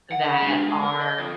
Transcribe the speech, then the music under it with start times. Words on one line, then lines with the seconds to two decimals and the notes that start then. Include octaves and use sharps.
that are
0.12 F#5
0.42 G#3 D4
0.68 G#3
0.82 A#4
1.00 D#5
1.18 F2